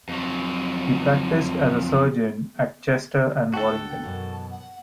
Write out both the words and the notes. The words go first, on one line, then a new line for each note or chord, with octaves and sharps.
He practised as a surgeon at Chester and Warrington.
F2 F#3
D2 D4 F#4 A4 G5 A5
F#2 B2 E3
A5
F#5